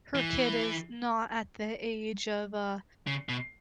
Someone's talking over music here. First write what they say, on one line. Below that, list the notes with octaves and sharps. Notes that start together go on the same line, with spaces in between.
her kid is not at the age of, uh,
E3
C#3
B2